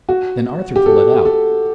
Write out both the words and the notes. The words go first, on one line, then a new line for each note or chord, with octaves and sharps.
Then Arthur pulled it out.
F#4
G4
A4
A4